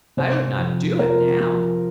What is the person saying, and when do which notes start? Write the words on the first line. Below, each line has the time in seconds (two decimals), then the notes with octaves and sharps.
I would not do it now.
0.17 C3 C5
0.59 F2
0.99 F3 A#4
1.40 F3